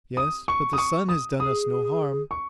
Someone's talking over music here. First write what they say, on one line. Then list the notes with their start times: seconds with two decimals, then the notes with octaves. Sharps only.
"Yes, but the son has done us no harm."
0.17 D#6
0.48 C#6
0.73 D#6
0.78 C#6
1.09 D#6
1.40 G#4 D#6
2.31 C#6